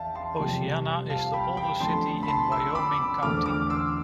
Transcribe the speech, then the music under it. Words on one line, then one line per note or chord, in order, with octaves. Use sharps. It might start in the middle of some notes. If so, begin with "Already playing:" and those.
Oceana is the oldest city in Wyoming County.
Already playing: E2 E5 F5 G5 A5
A5 C6
F2 C3 G3
F5 A5
G5 B5
G5 B5
F2 D3 A3 A5 C6
B5
A5 C6
C6 E6
B5 D6
E2 D3 F3 A3 D6 F6
D6 F6
C6 E6